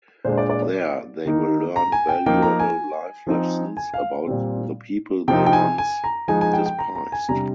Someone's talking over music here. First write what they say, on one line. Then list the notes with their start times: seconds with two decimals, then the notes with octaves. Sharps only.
There they will learn valuable life lessons about the people they once despised.
0.25 A#2 G#3 D4 C5
0.38 D5
0.50 D5
0.63 D5
1.25 D#3 A#3 D#4
1.76 A#5
1.92 G#5
2.09 G5
2.26 F3 A#3 D#4 G5
2.42 A#5
2.60 G#5
3.27 F3 C4 D#4
3.77 G#5
3.94 F5
4.27 A#2 G3 C4
5.28 C3 F3 C4 D#4 G5
5.46 G5
5.53 G#5
5.78 G#5
6.04 A#5
6.28 F3 G#3 D#4 G#5
6.41 G#5
6.53 G5
6.66 G5
6.79 A#5
6.95 A#5
7.12 G#5
7.29 C3 G3 D4 A#5